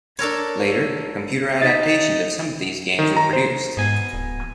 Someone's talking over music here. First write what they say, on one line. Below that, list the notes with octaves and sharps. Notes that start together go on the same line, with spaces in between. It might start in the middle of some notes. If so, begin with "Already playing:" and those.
Later, computer adaptations of some of these games were produced.
D4 A4 A#4 C#5
D#4 A6 B6
D#3
A#5
C5
G#2 B2 G#5
D1